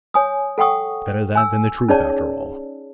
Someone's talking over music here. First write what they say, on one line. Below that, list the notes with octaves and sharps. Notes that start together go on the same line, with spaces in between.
Better that than the truth, after all.'
C#5 G#5 D#6
A4 F#5 G5 C#6 D#6
G#5 E6
C#4 D#4 G#4 C#5 D5 A5